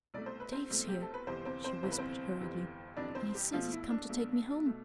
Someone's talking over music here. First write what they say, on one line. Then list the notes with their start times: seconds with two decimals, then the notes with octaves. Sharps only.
"Dave's here," she whispered hurriedly, "an' he says he's come to take me home."
0.14 C2 B2 A3 D5
0.26 C5
0.40 B4
0.52 C4 C5
0.70 C2 B2 A3
0.88 G4
1.01 A4
1.14 B4
1.27 G1 F2 C3 E3 C4 C5
1.45 C4 C5
1.64 C4 C5
1.83 G1 F2 C3 E3 C5
1.91 B4
1.98 C4 C5
2.40 G1 F2 C3 E3
2.97 G1 F2 C3 E3 D4 D5
3.15 C4 C5
3.35 G3 G4
3.52 B1 B2 F3 A3 F4
3.72 E4
3.91 D4
4.09 B1 B2 A3
4.66 B2 A3